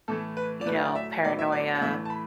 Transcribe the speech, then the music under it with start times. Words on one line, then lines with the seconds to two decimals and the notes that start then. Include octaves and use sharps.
you know, paranoia,
0.08 A2 E3 A3 A4
0.37 B4
0.61 D5
0.66 A2 F#3 A3 B4
0.85 D5
0.95 E5
1.24 A2 F#3 B3 D5
1.39 E5
1.52 D5
1.75 F#5
1.81 A2 E3 A3 E5
2.05 A5
2.10 B5